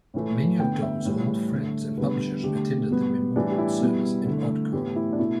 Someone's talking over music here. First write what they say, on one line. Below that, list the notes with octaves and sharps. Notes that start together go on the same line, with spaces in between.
Many of Dom's old friends and publishers attended the memorial service in Odcombe.
A2 E3 A3
D3 B3 G5
E5
A2 E3 G3
D3 A3
D3 G3 B3 B4
D3 A3 G4
B2 G3 B3
A2 E3 G3 D4
G4
E4
B2 G3 B3
D3 A3
A2 E3 B3 G4
E4
D4
B2 A3 E4